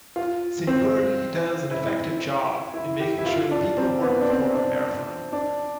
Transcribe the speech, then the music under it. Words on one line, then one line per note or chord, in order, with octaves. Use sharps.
Seniority does an effective job in making sure that people work for the "marathon".
F4
C4
E4
E4
G4
E4
F4
D4
C4
B3
D4
C4
D4
D4